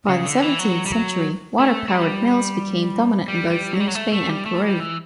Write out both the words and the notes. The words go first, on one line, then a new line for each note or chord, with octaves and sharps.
By the seventeenth century, water-powered mills became dominant in both New Spain and Peru.
C#3
D3
E3
F#3
G3
F#3
A3
A3
G3
G3
G3
F#3
G3
F#3
A3
A3
G3
A3
G3
E3